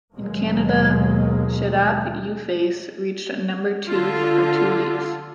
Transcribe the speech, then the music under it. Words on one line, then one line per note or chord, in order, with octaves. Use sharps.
In Canada, "Shaddap You Face" reached number two for two weeks.
D#2 B2 F#3 G#3 A#3
D3 F4